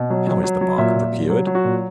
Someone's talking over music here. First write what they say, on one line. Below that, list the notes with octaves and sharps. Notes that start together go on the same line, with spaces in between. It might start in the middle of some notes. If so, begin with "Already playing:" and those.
How is the bark procured?
Already playing: B2
F#3
F#3
F#3
F#3
A#2 E5
A#2
F#3
F#3
F#3
F#4
A#2